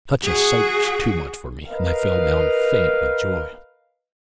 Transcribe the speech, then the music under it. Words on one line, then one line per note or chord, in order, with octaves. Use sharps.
Such a sight was too much for me, and I fell down faint with joy.
F#4 G#4
A#4 B4 D#5 F5